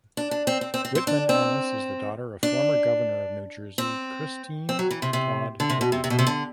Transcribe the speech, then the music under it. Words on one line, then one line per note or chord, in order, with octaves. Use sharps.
Whitman Annis is the daughter of former Governor of New Jersey Christine Todd Whitman.
D4
D4
C4
C4
C4
C4
C4
D4
C4
D4
C4
C4
F#3
E3
C3
C3
D3
C3
B2
C3
C3
B2
C3
D3